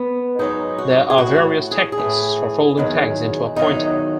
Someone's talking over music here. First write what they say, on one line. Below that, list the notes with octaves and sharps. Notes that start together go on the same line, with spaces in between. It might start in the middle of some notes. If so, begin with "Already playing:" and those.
There are various techniques for folding tags into a pointer.
Already playing: B3
G#2 F#3 D#4
F#4
G#4
A2 E3 F#4
G#4
G#4
A2 E3
E2 D#3 F#3
E2 D#3 F#3 D#4